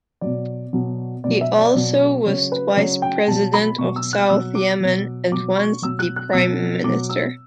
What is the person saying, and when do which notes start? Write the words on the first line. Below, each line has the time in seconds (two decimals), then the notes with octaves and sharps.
He also was twice president of South Yemen and once the Prime Minister.
0.21 B2 F#3 D5
0.73 B2 F#3
1.24 B2 F#3 D5
1.41 E5
1.59 D5
1.75 B2 F#3
2.26 C#3 F#3 C#5
2.52 B4
2.72 D5
2.77 C#3 F#3 C#5
3.02 G5
3.27 B2 F#3 A5
3.54 B5
3.78 B2 F#3 C#6
3.96 E6
4.13 F#6
4.30 B2 F#3 E6
4.55 D6
4.80 B2 F#3
5.32 B2 F#3 D6
5.57 C#6
5.82 B2 F#3 E6
5.99 F#6
6.16 F#6
6.33 B2 F#3 E6
6.84 B2 F#3 D6
7.10 E6